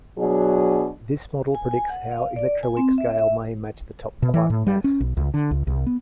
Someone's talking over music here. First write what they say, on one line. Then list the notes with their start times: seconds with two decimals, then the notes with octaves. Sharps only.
This model predicts how the electroweak scale may match the top quark mass.
0.19 B2 F#3 D4 G#4
1.55 G#5
1.71 G#5
1.90 F#5
2.12 F5
2.36 D5
2.63 G#5
2.77 C4
2.98 E5
3.19 E5
4.22 B2
4.34 E3
4.50 A2
4.67 G3
4.84 C#4
5.00 B1
5.17 C#2
5.34 D3
5.51 C#2
5.67 C2
5.86 B3